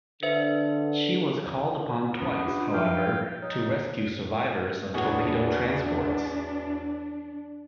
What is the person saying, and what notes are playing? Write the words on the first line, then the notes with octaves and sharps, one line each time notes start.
She was called upon twice, however, to rescue survivors of torpedoed transports.
D3 B4 C5 E5
B3 C#4
D4 F4 G4
F3 D#4 E5 F5 G5
D#4 C#5
E2 A2 B3 D4 F#4 G#4 F#5